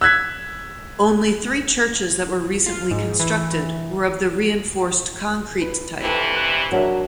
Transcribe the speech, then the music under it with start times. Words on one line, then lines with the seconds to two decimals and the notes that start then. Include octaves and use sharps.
Only three churches that were recently constructed were of the reinforced concrete type.
0.01 E6 F#6 G#6 B6
2.66 F4
2.91 G#2
3.20 E3
5.61 B4
6.02 G2 C3 E3 A4 B4 G5
6.35 F#6
6.72 F#3 D4 F#4 A#4 E5